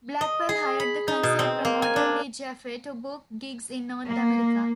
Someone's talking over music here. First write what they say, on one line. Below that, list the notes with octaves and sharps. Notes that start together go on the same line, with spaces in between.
Blackwell hired the concert promoter Lee Jaffe to book gigs in North America.
D#5
G#4
B5
D#4
B2
C4
A#3
G#5
D4
A#3